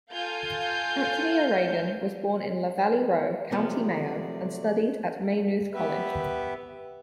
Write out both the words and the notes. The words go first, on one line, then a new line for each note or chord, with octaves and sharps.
Anthony O'Regan was born in Lavalleyroe, County Mayo, and studied at Maynooth College.
F4 A4 F5 G#5 G6
C3 F3 F#3 A3 B3 D5
B3 G4 B4 E5